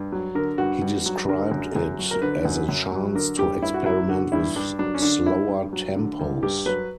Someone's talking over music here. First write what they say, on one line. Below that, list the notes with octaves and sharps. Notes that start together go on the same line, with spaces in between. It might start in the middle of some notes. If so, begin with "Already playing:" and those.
He described it as "a chance to experiment with slower tempos".
Already playing: G2
F#3
D3 A#4
G2 F#4
G2
F#3
D3 A#4
F#2
F#2
F#3
A#4
D3 B4
F#2
F#2
F#3
D3 A#4
G2 G4
G2 E4
F#4
F#3 E4
D3 F#4
G2 E4
G2 D4
F#3 D4
C#4
D3 D4
G2 E4
G2
F#3
D3
G2
G2 G4
F#3 B4